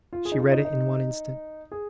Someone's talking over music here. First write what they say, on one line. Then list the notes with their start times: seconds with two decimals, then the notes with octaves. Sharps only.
She read it in one instant.
0.13 F4
0.25 G#4
0.32 D#4
0.38 F4
0.52 D#4
0.65 D#4
1.72 G#4